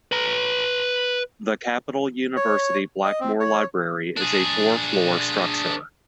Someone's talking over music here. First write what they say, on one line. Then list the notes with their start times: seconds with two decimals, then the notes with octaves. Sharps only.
The Capital University Blackmore Library is a four-floor structure.
0.12 B4 A#5
2.36 C#5
3.05 D#5
3.20 C4
3.40 C#5
4.17 D4 G#4